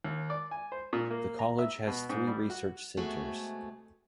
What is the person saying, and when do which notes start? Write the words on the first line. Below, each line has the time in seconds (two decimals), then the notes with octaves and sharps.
The college has three research centres.
0.05 D#2
0.30 D5
0.51 G#5
0.72 C5
0.93 A#2
1.11 A#3
1.39 A#5
1.59 E5
1.87 B2
2.09 G#2
2.27 G3
2.50 F#4
2.97 C3 G#3 A3 B3 F#4 G#4